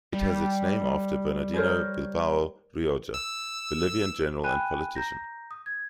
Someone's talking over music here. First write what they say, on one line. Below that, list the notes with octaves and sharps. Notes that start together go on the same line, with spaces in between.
It has its name after Bernardino Bilbao Rioja, Bolivian general and politician.
G3
A#4 C5 C#5
E6
G5 G#5 B5 F#6 D#7
A#5 G6 A#6
D#6
G#6